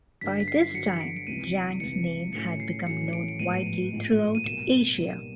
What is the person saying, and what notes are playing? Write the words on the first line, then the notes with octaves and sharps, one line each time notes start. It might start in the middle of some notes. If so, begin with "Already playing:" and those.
By this time, Jang's name had become known widely throughout Asia.
G2 D3 F#3 B6
B6
C7
G2 D3 F#3 C#7
D7
D7
C#2 C3 E3 D#7
D7
C#2 C3 E3 C#7
A2 F#3 A3 C#4 E4 C#7
C7
A2 F#3 A3 C#4 E4 C#7
D7
D7
A1 G#2 F3 G#3 B3 D#7
A1 G#2 F3 G#3 B3
D#7
B1 B2 G3 A#3 E7
B1 B2 G3 A#3